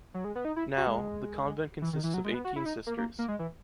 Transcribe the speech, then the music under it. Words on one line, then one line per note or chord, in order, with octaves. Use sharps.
Now, the convent consists of eighteen sisters.
F#3
G#3
B3
D#4
E4
F#4
G#3
E3
D#3
E3
F#3
G#3
B3
F#4
E4
D#4
A#3
A#3
A#3
G#3
E3